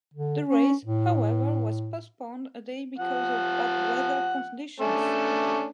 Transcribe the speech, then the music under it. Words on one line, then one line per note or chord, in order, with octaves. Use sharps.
The race, however, was postponed a day because of bad weather conditions.
D3
C#4
A2
F3 F#5
A3 C#4 D4